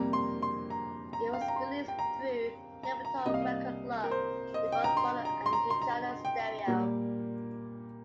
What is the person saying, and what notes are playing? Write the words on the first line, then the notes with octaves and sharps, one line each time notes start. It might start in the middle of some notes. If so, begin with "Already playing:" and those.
It was released through the Capitol Record Club in both mono and rechanneled stereo.
Already playing: F2 C3 G3 A#3 A#5
C6
C6
A#5
A#5
F5
G5
A#5
C6
G5
A#5
A#5
A#5
C2 C3 G3 A#3 D#5
F5
D#5
A#4
C5
D#5
G5
A#5
C6
A#5
C6
A#5
C6
A#5
G5
A#2 G3 A#3